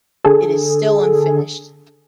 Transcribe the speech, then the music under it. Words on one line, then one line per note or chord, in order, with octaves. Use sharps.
It is still unfinished.
D3 G#4 A4